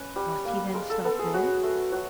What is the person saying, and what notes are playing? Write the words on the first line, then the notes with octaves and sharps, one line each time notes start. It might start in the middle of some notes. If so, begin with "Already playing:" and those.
Must he then stop there?
Already playing: C#4 B4
G3
A#3
G#3 A#4
A4
B3 A4
G#4
F#3 F#4
A3
F#3 F#4